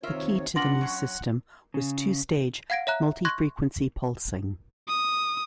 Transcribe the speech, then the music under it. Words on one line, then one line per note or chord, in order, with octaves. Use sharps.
The key to the new system was two-stage multi-frequency pulsing.
D#2 C3 F4 A#4 C#5 E5
D4 F4 B4 F#5 C6 A#6 F#7
F#3 C#4
C#3
F5 F#5 G#6 A#6 D7
C#5 E5 A#5 F#6
C6 C#6 F#6 G#6 A#6
D#6